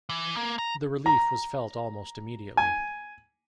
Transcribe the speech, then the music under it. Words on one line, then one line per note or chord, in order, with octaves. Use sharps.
The relief was felt almost immediately.
E3
A#3
A#5
A#5
G#5